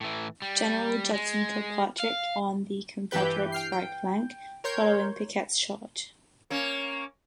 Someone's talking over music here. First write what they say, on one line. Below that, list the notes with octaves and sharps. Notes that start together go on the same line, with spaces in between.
General Judson Kilpatrick on the Confederate right flank, following Pickett's Charge.
A2 E3
G3
G#3
F5
G2 E3 G4 B4 G6
G5 F6 C7
G5
A#4 C#5 C6 G6 G#6
A#3 C#4